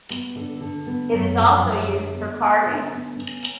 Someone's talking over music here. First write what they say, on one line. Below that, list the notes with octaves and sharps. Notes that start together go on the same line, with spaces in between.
It is also used for carving.
B3
D3
D3
B3
F#2
F3
F#2
D3
B3
B3
D3
B3
C#4